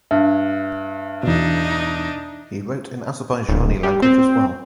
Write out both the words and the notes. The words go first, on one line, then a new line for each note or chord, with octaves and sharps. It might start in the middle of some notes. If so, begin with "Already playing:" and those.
He wrote in Azerbaijani language as well.
G2 E5
E2 B2 D4 D#4
D1
G3
C4